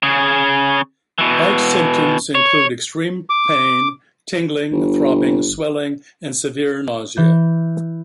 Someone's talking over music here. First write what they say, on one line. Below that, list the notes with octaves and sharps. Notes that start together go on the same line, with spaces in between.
Bite symptoms include extreme pain, tingling, throbbing, swelling, and severe nausea.
C#3 G#4
B2 E3
C#5
D6
G1
E3 G6